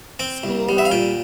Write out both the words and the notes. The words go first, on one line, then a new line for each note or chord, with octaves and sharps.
school and all that
C4 G5
C2
G3
E5
F5
A#2 G5